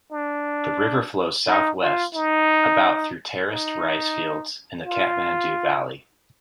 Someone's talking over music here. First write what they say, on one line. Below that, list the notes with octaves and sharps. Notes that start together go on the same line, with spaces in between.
The river flows southwest about through terraced rice fields in the Kathmandu Valley.
D4
D#4
F4
D#4
D#4
F4